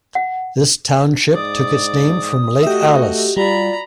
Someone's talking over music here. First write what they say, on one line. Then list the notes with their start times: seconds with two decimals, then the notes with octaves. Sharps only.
This township took its name from Lake Alice.
0.15 F#5
1.34 G#2 D5 D#6
2.63 A3 F#4 G4 D#5 E5
3.37 G3 F4 D5 A#5 B5